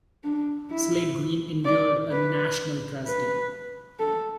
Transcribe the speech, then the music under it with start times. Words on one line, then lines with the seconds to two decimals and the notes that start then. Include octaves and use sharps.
Slade Green endured a national tragedy.
0.24 D4
0.71 E4
1.65 D5
2.12 B4
3.06 B4
3.99 A4